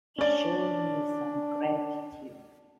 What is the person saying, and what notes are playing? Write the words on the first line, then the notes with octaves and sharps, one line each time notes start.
Show me some gratitude.
C#4 D4 D5